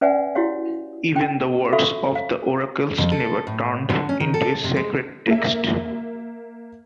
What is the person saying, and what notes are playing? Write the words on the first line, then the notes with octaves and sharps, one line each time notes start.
Even the words of the oracles never turned into a sacred text.
C#4 B4 D5 E5 F#5 G#5
E4 F#4 G4 C#5 F5
C#4 G5
F#4 A4 E5 F5 B5 C#6
F5
F2
A4
A2
D3
C#4
D#3
A4
C3
G#3
A#3 E5